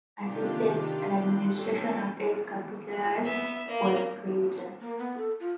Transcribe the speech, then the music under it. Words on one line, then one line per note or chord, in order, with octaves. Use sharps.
At his death, an administration of eight "capitulaires" was created.
C3 D#3 D4 F4 G4
C6 F#6 G6
C#4 A4 G5 G#5
F#6
B3 E5
A#3
A#3
B3
A4
F4